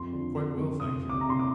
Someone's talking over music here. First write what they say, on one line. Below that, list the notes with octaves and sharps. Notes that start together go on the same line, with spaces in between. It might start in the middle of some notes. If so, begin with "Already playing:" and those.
"Quite well, thank you."
Already playing: F2 F3 C6
D3
D3
F2
C3 D#6
C3
D6
C3 A#5
C6
D6